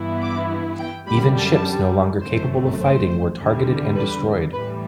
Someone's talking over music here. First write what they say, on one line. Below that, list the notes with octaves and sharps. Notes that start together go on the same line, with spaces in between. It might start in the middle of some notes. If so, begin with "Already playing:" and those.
Even ships no longer capable of fighting were targeted and destroyed.
Already playing: G2 E3 B3 E4
D6
G5
F#2 D3 G3 B5
A5
G1 F#2 F#3 A3 C5
C5
E2 D3 G3
B4
A2 E3 G3 B4